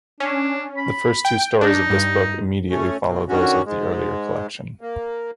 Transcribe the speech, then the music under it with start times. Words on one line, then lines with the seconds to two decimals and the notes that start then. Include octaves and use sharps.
The first two stories of this Book immediately follow those of the earlier collection.
0.20 C#4 D4
0.77 B5
1.25 G5
1.61 D4 D#4
1.90 G2
2.71 A3 C#4
3.05 B2
3.29 D3 D#3 C#4 F#4
3.66 G#2 G#3
4.81 A#3